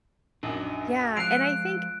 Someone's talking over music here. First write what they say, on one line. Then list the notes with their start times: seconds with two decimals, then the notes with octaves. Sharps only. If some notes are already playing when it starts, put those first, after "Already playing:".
Yeah, and I think
0.43 A#1 F#2 D4 D#4
1.16 F3 G#3 E6 F#6 C7 D7 F7